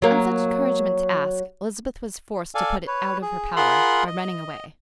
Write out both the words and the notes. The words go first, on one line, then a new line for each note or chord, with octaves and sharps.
On such encouragement to ask, Elizabeth was forced to put it out of her power, by running away.
F#3 A#3
A4 D5 F5 G#5
B4 C#5
G#4
F4 G#4 A#4 F#5 B5 C6
D#5